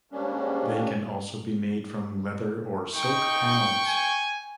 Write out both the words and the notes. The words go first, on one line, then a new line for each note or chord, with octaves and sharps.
They can also be made from leather or silk panels.
D#2 G#2 G3 A#3 C#4 D4
D#4 G5 C#6
G#5